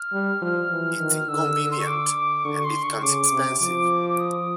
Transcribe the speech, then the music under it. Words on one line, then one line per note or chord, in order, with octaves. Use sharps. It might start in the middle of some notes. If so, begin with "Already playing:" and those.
It's inconvenient — and it comes expensive.
Already playing: F6
G3
F3
E3
D#3
D3 E6
C6
C#6
D6
D3 C#6
C#6
C6
C#6
C#3 D6
C3
F3
D6
D#6